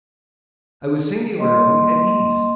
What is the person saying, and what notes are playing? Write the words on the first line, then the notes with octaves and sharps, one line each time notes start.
I was singularly at ease.
G3 A#3 D#5 C6